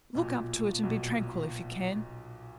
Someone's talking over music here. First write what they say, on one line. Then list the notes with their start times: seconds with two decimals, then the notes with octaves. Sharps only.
Look up to it, and be tranquil if you can.
0.15 B1 A#2
0.83 B1 A#2